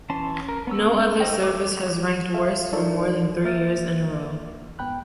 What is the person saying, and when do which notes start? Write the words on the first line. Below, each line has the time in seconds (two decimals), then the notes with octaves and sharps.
No other service has ranked worst for more than three years in a row.
0.10 E3 C#4 A5 C6
0.49 A#4
0.67 B3 C#4 E6
1.20 D#4 C5 D#5 G5
1.42 A4 C#5 D6
2.34 G#4 A4 C5 E5 F5
2.73 D#4 E4 A4 A#4 C#5 D5
3.44 A#3 E5 F6 G6 A6
4.79 G#2 B3 G5 B5 F#6